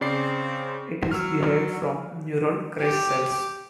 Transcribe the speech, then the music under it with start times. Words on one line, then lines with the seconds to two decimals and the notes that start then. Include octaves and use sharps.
It is derived from neural crest cells.
0.01 C#3 C4 D5 C7
1.11 F#3 E6 F6
2.81 G4